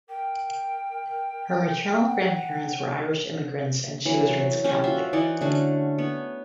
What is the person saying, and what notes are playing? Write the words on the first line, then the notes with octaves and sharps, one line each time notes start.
Her maternal grandparents were Irish immigrants, and she was raised Catholic.
A#4 G5
F#5
E3 F#3
C#4 G4
F4 F#4 C5 E5
E3 D#4 D5 F#5
D3 A3 C#4 F#4
B3 C#5